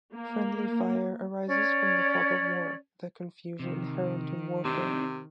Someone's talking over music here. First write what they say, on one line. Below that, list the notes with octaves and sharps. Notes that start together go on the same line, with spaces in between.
Friendly fire arises from the "fog of war" - the confusion inherent in warfare.
A#3
C#4 C#5 D5
C3 D#3
C3 C4 D4 D#4